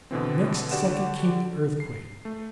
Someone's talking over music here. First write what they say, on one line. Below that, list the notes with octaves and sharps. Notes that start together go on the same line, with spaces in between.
Next second came the earthquake.
B2 D3 E3 C4
D3 F#4 G4 D5 F#5 E7
C7
A3